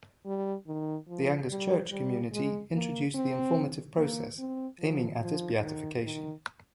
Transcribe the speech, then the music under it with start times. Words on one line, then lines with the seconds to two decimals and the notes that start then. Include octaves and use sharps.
The Angers Church Community introduced the informative process, aiming at his beatification.
0.26 G3
0.67 D#3
1.08 F3
1.50 G3
1.91 G3
2.32 G#3
2.73 A#3
3.15 C4
3.97 A#3
4.39 C4
4.79 F3
5.20 F3
5.61 D#3
6.03 D#3